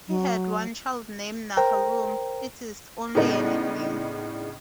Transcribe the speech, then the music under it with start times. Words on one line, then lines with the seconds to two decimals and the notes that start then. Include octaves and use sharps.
He had one child named "Nahalum", it is only a nickname.
0.08 F#3
1.57 A#4 C5 G5 A#5
3.15 A2 C#3 G#3 B3 D4 D#4